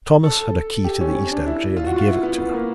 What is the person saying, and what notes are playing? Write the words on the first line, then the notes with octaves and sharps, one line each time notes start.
Thomas had a key to the east entry, and gave it to her.
A4
G4
C#4
C#4
D4
E4
F4
F#4
F4
E4
B3
B3
A#3